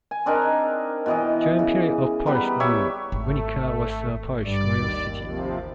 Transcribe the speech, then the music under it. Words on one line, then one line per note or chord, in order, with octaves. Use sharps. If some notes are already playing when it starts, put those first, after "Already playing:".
During period of Polish rule, Winnica was a Polish royal city.
G#5
C4 D4 D#4 A#4
B2 E3 D#5
C#3
G3 B3 B4 A#5
G4 C#5 E5
G#1 A3
G2 D5
D#2
C3 F3